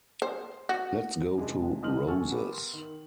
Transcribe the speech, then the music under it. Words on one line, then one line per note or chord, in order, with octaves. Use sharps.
Let’s go to Roses.
C5
F#4
E2 C3 G#3 G#4 D#5 A5
G1 D#5 D#6 F6 F#7
A4 F#5 G#5 A5 C#6 F6
B3 G4 A#4
C6
D#3 F#7